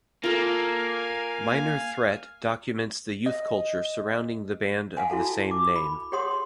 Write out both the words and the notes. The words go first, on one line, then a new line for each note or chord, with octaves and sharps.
"Minor Threat" documents the youth culture surrounding the band of the same name.
A#3 F4 A4 F5 G#5
D#5
F5 F#5 G#5
E4 F#4 A4 A5
D6
B5
G4 G#4 C#5 F#5 C6 D#6